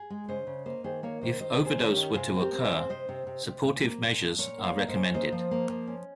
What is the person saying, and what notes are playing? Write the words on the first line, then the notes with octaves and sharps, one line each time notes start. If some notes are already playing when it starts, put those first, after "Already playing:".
If overdose were to occur, supportive measures are recommended.
Already playing: G#4
G#3
C#3 C5 D#5
C#3
A#3 C5 D#5
D#3 G#4 C5
A#3 C#5 F5
D#3 C5 D#5
D#3 C5 D#5
D#3
G#4 C5
C#4
G4 A#4
D#3
C3 F4 G#4
C4
G4 A#4
C4
A#4
G#4 C5
C4
C3 C5 D#5
C3
C3
C3
A#2
A#3
A#2
F3
A#2 A#4 C#5
A#3
C#5 F5
A#3
C5 D#5
C#4
A#3 C5 D#5
F3
A#3
F3
C#4